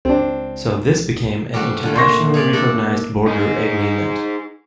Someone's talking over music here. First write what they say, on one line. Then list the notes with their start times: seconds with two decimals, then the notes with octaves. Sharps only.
So this became an internationally recognised border agreement.
0.05 C#2 C4 D4
1.54 G3 A3 F#4 G#4 A4 C5
1.83 D3 A3 C#4 F4
1.96 A#2 D3 A#3 E4 C6 C#6 A#6
2.34 G#4 C#5 D5
2.53 D4 D#4 A4
3.28 D#4 G#4